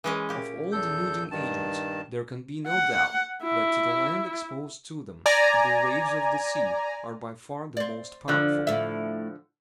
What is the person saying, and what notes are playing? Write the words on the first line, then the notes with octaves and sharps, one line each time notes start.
Of all denuding agents, there can be no doubt that, to the land exposed to them, the waves of the sea are by far the most powerful.
E3 G#3 C#4
A#2 G4
E2 A4 G6
G2 D#3 A5
F#5
E4
D5 G#5 A#5
C4 D5
D3 F3
A2 E5